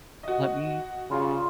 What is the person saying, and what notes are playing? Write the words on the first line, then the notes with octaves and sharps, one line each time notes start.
Let me"
F#4 D#5
C#3 G3 F4 G#4